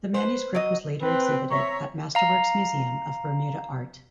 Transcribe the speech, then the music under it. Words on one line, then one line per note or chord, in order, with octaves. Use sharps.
The manuscript was later exhibited at Masterworks Museum of Bermuda Art.
B4 C5
F#3 D#5
C4 B4
C#5 E5 A#5 C#6
F5 A#5